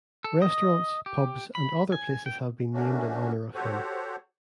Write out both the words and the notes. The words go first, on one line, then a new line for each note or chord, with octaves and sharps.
Restaurants, pubs and other places have been named in honour of him.
A4
D#5
G4
B5
G#5
G5
A3 A#3 C#4 D4 F#4
F#4 G4 A4 C5 C#5 F#5